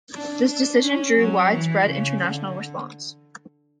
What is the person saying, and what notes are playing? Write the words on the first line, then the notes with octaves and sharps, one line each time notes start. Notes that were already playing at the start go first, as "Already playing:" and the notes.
This decision drew widespread international response.
D4
D4
C#4
F#3
E3
C#3
D3